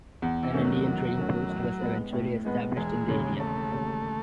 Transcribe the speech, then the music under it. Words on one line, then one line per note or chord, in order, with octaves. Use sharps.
An Indian trading post was eventually established in the area.
E2
E3
D#3 A3 C#4
F#3
E2
D#3 A3 C#4
A2
G#3 B3
A2
G#3 B3
E1 G#3
D#2 C#3
E1 A3
D#2 C#3